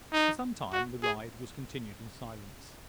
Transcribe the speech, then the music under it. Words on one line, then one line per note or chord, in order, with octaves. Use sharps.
For some time the ride was continued in silence.
D#4
F#4
G#4